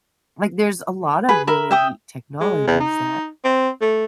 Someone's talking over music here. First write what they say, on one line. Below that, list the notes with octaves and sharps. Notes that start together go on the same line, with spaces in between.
like, there's a lot of really neat technologies that
G#4 B4 B5
A#4 E5 B5
E5 G5 D#6
G#3
E2
D#4
C4
A3